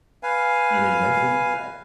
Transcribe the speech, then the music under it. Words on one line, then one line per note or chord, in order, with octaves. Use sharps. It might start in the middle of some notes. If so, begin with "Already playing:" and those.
And in reference to that,
B4 F5 G#5